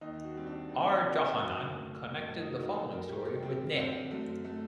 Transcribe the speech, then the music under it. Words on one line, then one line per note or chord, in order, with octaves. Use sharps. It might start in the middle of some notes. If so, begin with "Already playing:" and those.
R. Johanan connected the following story with Neh.
D#2 D#4
F#4
G3 C4
D4
D#2 C4
D#3
F#2
A3
F#2 A#3
A3
F#3 D#4
F#4
F#2 A4
A#4
G3 G4
G4
F#2 C4
D3 C4
F#2 A3
A3